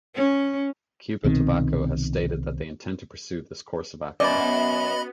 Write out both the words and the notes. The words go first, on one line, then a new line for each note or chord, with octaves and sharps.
Cubatabaco has stated that they intend to pursue this course of action.
C#4
C2 B2 D#3 C4
F#2 B3 D5 D#5 B5